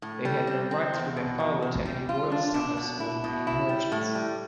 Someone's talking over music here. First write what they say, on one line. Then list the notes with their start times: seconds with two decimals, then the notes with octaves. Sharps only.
They had no rights through their father to any royal status or inheritance.
0.02 A2
0.25 G3
0.47 C4
0.71 C4
0.94 E2
1.17 B2
1.40 E2
1.62 E2
1.86 G3
2.09 F4
2.32 D4
2.54 D4
2.77 B2
3.00 E4
3.24 B2
3.47 E4
3.69 G3
3.92 A2
4.15 G3